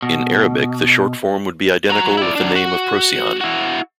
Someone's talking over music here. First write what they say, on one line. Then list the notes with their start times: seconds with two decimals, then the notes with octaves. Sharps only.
In Arabic, the short form would be identical with the name of Procyon.
0.02 B2
1.90 F#4 A#5
2.17 E4 D5
2.35 F#3 D4
2.56 F#4
3.41 E4 F#4